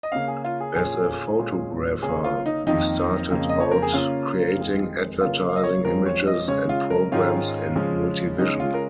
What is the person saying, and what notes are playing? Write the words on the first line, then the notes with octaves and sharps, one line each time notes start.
As a photographer, he started out creating advertising images and programs in multivision.
D#5
C#3 A#3 C#4 F5
G#4
F4
G#4
A#2 A#3 C#4 G#4
A#2 G#3 C#4
C#3 A#3 C#4 G#4
F4
D#4
F2 D#3 A#3 D#4
F2 C#3 A#3
D#5
C#5
A#4
G#4
C#3 A#3 C#4 F4
F2 D#3 G#3
C#3 A#3 C#4 F4
F5
D#5
C#5
F2 F3 G#3 C#4 A#4
C#5
D#5
C#3 G#3 C#4 C#5
F4
A#4
G#2 D#3 G#3 C#4 F4
C#3 F3 G#3 C#4
C#3 G#3 C#4 D#4
F4
A#4